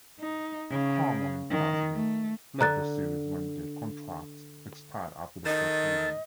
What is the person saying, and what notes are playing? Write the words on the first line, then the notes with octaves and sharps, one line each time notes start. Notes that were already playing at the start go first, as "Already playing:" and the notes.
Harmon and Cassidy left the series when their contracts expired after the first season.
D#4
C#3
D#3
A3
D3 A#5 F#6 A6
D#3 A4 D#5